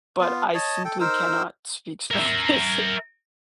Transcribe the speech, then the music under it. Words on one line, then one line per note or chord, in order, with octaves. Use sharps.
but I simply cannot speak Spanish.
B3 F4
C#5 D#5 A5
A4 G5
D#4 A#4 C5 E6
A#4 E5